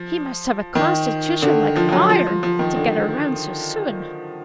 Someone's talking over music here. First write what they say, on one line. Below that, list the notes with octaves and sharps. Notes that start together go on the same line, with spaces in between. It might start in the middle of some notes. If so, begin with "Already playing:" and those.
"He must have a constitution like iron to get around so soon."
Already playing: F3
D#3
D3
F3
F3
F#3
F3
F3
F3
D#3
D3